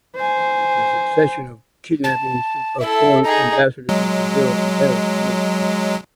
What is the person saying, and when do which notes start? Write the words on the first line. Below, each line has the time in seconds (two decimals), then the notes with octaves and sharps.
The succession of kidnappings of foreign ambassadors in Brazil embarrassed the military government.
0.16 C5 G#5
2.04 A5
2.81 E4 A4 E5
3.24 D#4 G#4 A#5
3.89 F#3 G#3